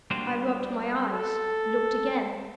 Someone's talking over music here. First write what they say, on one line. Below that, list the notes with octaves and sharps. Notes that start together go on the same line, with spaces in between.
I rubbed my eyes; looked again.
G3 A#3 D4 F4 F#4 C5
A4